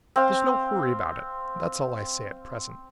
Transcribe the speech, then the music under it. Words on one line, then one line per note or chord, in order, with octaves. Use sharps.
There's no hurry about it; that's all I say at present.
C4 F5